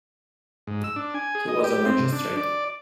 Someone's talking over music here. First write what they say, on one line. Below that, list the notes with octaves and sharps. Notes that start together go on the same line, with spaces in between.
He was a magistrate.
G#2
E6
D4
G#5
G#4
D#5
G4
C4
C3
D4
D5